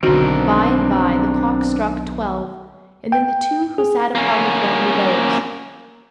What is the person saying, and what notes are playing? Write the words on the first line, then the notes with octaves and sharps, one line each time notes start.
By-and-by the clock struck twelve, and then the two who sat upon the throne arose.
B1 D3 D#3 C4 D4 F#4 A#4
G5
G#4
A#3 C#4